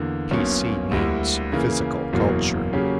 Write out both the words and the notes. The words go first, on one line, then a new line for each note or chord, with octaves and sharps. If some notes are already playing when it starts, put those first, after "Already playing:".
P.C. means physical culture.
Already playing: E2 D3 A#3
B1 B2 A#3 C#4
D2 D3 G3 A#3 E4
C#3 E3 A#3
F#1 E2 B2 F#3 A#3
C#3 F#3 A#3 C#4 G4